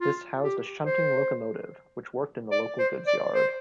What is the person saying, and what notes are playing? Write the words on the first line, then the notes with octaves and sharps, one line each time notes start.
This housed a shunting locomotive which worked in the local goods yard.
F4
G4
C5
D5
C5
D5
C5